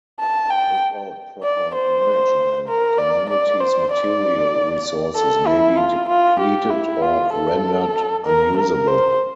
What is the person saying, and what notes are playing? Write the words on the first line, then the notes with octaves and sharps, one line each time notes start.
Without proper management, a community's material resources may be depleted or rendered unusable.
A5
G5
D5
C5
A#4
D5
D5
C5
D5
A4
E4
F4
F4
G4
E4
F4
A4
A#4
A#4
C5